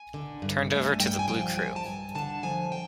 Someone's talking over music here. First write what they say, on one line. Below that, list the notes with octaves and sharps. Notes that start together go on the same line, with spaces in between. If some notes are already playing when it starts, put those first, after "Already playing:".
Turned over to the Blue Crew.
Already playing: G#5
D3
G2
A3 G#5
G2 G5
G#5
F3 G5
F3 G#5
A5
G2 G#5
D3 A5
F3 G#5
G5